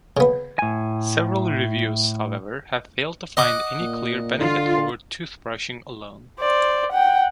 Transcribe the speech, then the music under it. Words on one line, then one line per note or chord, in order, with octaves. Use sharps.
Several reviews, however, have failed to find any clear benefit over toothbrushing alone.
C#3 B3
A2 G#5
D#5 F#5 D6
A#2
D3 F4
C5 D5
F#5 G5